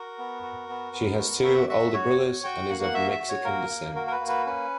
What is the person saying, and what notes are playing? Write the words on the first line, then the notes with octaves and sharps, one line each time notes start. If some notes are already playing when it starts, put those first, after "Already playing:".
She has two older brothers and is of Mexican descent.
Already playing: F#4 A#4
B3
F#4
B3
B3
F#4
F#4 E5
F#4 E5
F#4 C#5
F#4
F#4 G5
A#3 F#5
F#5
F#4 E5
E5
F#4
C#5
A#3 A#4
A#3
F#4 A#4
A#4
B4
A#3
B4
C#4 B4